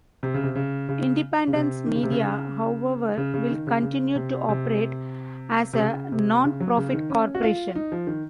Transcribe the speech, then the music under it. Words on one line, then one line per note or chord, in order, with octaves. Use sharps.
Independence Media, however, will continue to operate as a non-profit corporation.
C3
C#3
C3
C#3
C#3
C#3
C3
D#3
C#3
C3
C#3
C#3
C#3
D#3
C#3
C#3
C3
C3
C3
C#3
C3
C#3
F#3
C#3
D#3
C#4
F#4
F4
D#4
F3
D#3